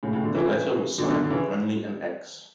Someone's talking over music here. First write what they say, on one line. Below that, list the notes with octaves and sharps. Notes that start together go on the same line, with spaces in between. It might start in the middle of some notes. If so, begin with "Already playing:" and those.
The letter was signed with only an X.
A2 C#3
A2 C#3
B2 D3
C#3 E3
B2 D3
B2 D3
D3
C#3 E3